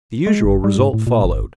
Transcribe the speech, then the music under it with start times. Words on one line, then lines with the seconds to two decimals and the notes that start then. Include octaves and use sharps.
The usual result followed.
0.27 G#3
0.44 F#1
0.64 G3
0.79 G#2
0.94 A2
1.07 A#2
1.23 G1